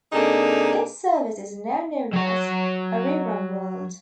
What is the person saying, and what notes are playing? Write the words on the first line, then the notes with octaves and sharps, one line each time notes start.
This service is now known as Arirang World.
C3 A#3 D4 D#4 G#4 A4
F#3 C#5